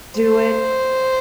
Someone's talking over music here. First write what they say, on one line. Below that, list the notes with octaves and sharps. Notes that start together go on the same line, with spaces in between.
do it.
C5